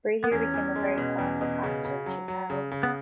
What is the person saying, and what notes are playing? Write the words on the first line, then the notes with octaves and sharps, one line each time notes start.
Brazier became a very powerful pastor in Chicago.
B3
E2 C#4
E2
G#3
B2
E2
B2
C#3
C#3
F#3
F#3
C#3
C#3
B3